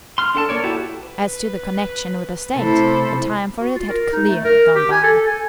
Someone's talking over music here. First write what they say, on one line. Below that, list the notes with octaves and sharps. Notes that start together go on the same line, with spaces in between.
As to the connection with the State, the time for it had clearly gone by.
C6 F6
D4 A4 F#5 A5
A#3 A#4 C#5 D5
E4 F#4 G4 A4
B4
C3 A3 E4 A4 C5
F#4
F4
A#4
D#4
A3
A#4
G4
G#5
A4
G#5